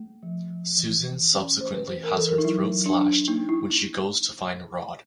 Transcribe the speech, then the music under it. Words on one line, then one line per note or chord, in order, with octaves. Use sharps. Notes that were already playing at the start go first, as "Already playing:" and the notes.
Susan subsequently has her throat slashed when she goes to find Rod.
Already playing: A3
F3
F3
E3
E3
C#4
A3 C5
B4
E3 C5
A#4
E3 A4
A#4
D#4
F#3 E4
F#3
D4
D4
A#3 D#4
E4